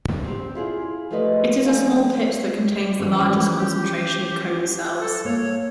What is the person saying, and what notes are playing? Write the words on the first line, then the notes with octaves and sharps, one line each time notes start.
It is a small pit that contains the largest concentration of cone cells.
C4 G4
E4 F4 G#4
F3 G#3 A3 G4 B4 D#5
D2 F3 A3 G#5
E3 F3 C#4
G4
A4
A#3 C#5